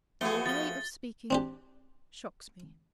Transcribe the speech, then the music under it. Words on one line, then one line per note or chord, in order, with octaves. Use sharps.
'Your way of speaking shocks me.
E2 F3 A3 B3 F#4 G#4 G7
F3 A6 G7
C4 D4 G4